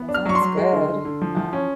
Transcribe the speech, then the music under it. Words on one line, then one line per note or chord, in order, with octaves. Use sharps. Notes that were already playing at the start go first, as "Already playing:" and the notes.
Well, that's good, um
Already playing: B3
D4
F6
F#3 C#6
C6
F#3
G#3
D3
D3
D3
F3
F3
C#4